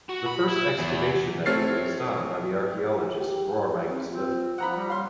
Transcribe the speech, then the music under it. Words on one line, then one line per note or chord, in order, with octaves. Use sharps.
The first excavation that year was done by the Archaeologist Bror Magnus Vifot.
F#4
B5
E4
E2
A3 C4 C#5 F6 A6 C7
G4
C4
C4 F4
F3 F#5 A#5 B5
G3
C#5 F5 C6